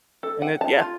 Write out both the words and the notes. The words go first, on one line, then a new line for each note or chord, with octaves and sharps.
and it yeah.
A4
F#5
A5
F4